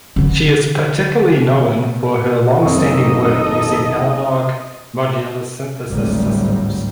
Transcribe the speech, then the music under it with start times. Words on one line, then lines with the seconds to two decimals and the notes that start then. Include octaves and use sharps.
She is particularly known for her longstanding work using analog modular synthesis systems.
0.16 D3 E3
2.62 F#1 D#3 A#3 C4 A4 D#5 C#6
5.89 G#1 D2 A2 F#3 G3